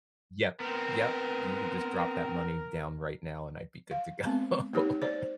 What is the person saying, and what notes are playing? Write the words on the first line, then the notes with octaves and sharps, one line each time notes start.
yep, yep, "you could just drop that money down right now, and I'd be good to go."
B3 C4 A#4
F5
G#3 B3 C4
A#3 D#4 G4 C#5
C5 D5